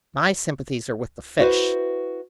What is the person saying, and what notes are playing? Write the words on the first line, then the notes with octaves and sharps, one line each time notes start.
"My sympathies are with the fish."
E4 F#4 B4 C5